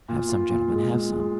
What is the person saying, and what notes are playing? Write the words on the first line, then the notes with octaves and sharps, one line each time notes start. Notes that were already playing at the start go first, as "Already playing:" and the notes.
"Have some, gentlemen, have some!"
A#2
F4
A#2
G#3
A#2
G#3